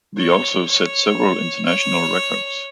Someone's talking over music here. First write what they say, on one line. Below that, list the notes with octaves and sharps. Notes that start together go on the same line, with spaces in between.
They also set several international records.
C#5
C#5
C#5